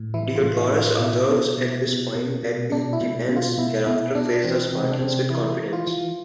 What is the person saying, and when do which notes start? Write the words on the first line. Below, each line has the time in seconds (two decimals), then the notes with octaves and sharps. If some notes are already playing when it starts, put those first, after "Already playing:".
Diodorus observes at this point that the Thebans thereafter faced the Spartans with confidence.
Already playing: A2
0.14 E3 E4
0.36 F4
0.43 A2
0.57 E4
0.72 A2
0.79 F4
1.00 B2 E4
1.29 B2
1.58 B2
1.86 B2
2.15 B2
2.43 B2
2.72 B2 D4
2.93 E4
3.01 B2
3.29 B2
3.36 F4
3.58 B2 E4
3.86 B2 E4
4.15 B2 D4
4.44 E3 C4
4.72 C3 C4
4.92 D4
5.01 C3 C4
5.30 E3 E4
5.59 E3
5.73 F4
5.87 E3